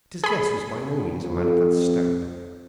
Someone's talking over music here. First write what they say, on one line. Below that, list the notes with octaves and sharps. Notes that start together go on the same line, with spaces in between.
But his guest was by no means a man of that stamp.
G#4 B5
F2